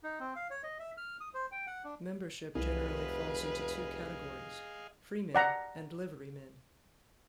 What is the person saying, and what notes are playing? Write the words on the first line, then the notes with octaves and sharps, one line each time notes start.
Membership generally falls into two categories: freemen and liverymen.
D#4
C4
F5
C#5
D#5
E5
F6
D#6
C5
G5
F#5
D4
F1 C2 G#4 B4 D#5 F5
D5 F#5 A#5